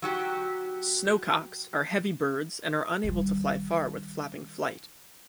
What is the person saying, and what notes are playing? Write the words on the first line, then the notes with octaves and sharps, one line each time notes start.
Snowcocks are heavy birds and are unable to fly far with flapping flight.
F#3 F#4 G4
D#3 G3